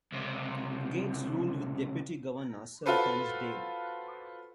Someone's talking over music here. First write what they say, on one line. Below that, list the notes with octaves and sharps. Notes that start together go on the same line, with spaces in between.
Gates ruled with deputy governor Sir Thomas Dale.
C#2 C3
F4 F#4 A4 B4 C5